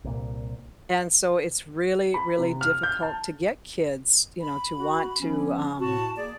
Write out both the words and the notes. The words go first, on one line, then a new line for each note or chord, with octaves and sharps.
and so, it's really, really difficult to get kids, you know, to want to, um
C2 A#2
B5
C3
F6
G6
A5
B5
F#4
F3 B3 C#4
A2 F#4 A5
A#3 G#4 D5